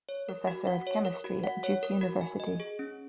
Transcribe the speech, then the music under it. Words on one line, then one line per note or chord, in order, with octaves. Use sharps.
Professor of Chemistry at Duke University.
C#5
A#4
F#4
F#5
C#5
A#4
F#4
F#5
C#5
A#4
F#4
G#5
D#5
G#4
C#4